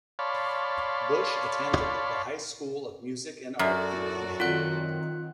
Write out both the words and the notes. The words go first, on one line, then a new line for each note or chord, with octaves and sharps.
Busch attended The High School of Music and Art in Manhattan.
C#5 D5 F5 A5 B5 C6
F#2 F#4 A4 D5
D#3 C4 F4 F#5 F#6